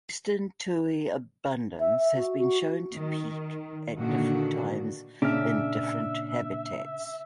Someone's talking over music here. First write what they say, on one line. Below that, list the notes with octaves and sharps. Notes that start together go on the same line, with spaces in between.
Eastern towhee abundance has been shown to peak at different times in different habitats.
E5
E5
F#4
F#4
D#3
A#2 D3 D#3 D4 F#4
A#2 C#3 C#4 D4 E5 F6